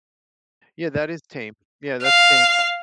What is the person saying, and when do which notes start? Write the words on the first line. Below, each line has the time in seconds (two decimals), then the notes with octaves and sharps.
Yeah, that is tame. Yeah, that's tame.
2.05 F5